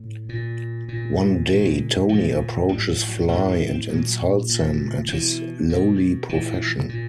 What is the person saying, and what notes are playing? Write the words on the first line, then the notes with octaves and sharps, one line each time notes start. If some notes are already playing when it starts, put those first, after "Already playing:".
One day, Tony approaches Fly and insults him and his lowly profession.
Already playing: A2
A#2
A#2
A#2 D#3
A#2 F3
A2 G3
F3
F#3
A2 G3
G#3
C4
A#2 F#3
A#2
B2 E3
B2
A#2 E3
A#2